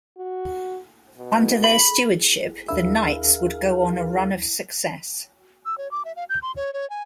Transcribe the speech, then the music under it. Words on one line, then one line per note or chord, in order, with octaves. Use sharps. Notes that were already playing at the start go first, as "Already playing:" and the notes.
Under their stewardship the Knights would go on a run of success.
F#4
B2
B5
D#2 D4 E4 G#4 A#4 F5 E6
E6
C#5
D6
E5
F5
G6
C6
C#5
C#5
G#5